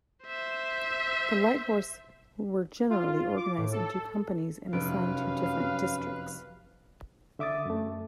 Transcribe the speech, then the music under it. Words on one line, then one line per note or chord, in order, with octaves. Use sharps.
The Lighthorse were generally organized into companies and assigned to different districts.
C5 E5
F4
D6
A2
A4
F1 F#2 B4 F5 D7
D3 E5 D6 D#6 A6
F#2 A3